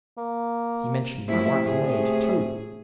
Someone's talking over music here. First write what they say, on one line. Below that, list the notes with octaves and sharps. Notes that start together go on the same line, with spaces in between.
"He mentioned my wife's maid, too!"
A#3
C3 F3 A3 E4
A2 G#4